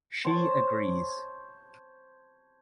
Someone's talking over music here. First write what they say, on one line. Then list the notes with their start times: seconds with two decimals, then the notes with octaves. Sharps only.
She agrees.
0.25 C5 C#5 A5